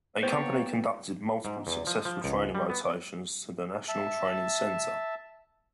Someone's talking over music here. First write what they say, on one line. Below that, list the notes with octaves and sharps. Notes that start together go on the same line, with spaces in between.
A Company conducted multiple successful training rotations to the National Training Center.
A#3 B3 C5 C#5 G5 A6
G#2
E2
F3
F3
C#2
G3
B3
E5 A5